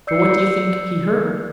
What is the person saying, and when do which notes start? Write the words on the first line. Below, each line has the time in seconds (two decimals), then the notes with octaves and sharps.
But what do you think he heard?
0.07 D5 E6 G6 C7 C#7